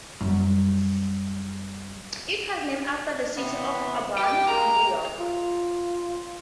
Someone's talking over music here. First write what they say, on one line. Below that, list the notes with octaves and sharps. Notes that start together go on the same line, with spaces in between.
It was named after the city of Auburn, New York.
F#2 G3
C3 E3 B3
G4 G5
G#3 A#3 A#5
F4